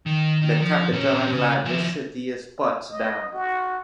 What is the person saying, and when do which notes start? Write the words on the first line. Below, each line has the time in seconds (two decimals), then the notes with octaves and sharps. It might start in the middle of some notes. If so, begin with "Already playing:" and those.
The capital and largest city is Potsdam.
0.06 D#3
0.41 D#3
0.60 F3
0.92 A#2 C#4
1.33 C#3
1.65 F3 E4
2.90 D#5
3.33 F#4